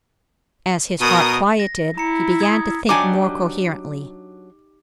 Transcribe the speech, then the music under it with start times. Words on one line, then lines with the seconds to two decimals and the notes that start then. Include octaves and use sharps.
As his heart quieted he began to think more coherently.
1.01 B2 A#4 D#6
1.60 A#6
1.98 E4 A#5 C#7
2.40 D#6 G#6
2.89 F#3 D4 D#4 G4 D5 G#5 D6